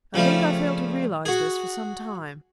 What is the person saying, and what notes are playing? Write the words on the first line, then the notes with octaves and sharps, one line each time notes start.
I think I failed to realize this for some time.
C#3 F3 G3 A3
F#4 G#4